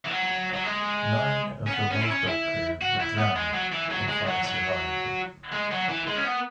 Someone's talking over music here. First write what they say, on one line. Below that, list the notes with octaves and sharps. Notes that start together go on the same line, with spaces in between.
Nine of the lifeboat crew were drowned and five survived.
E3
F#3
F#3
G#3
C#4
B3
C#4
E4
C#4
E4
F#4
E4
B3
G#3
F#3
E3
F#3
G#3
F#3
F#3
G#3
F#3
E3
G#3
C#4
B3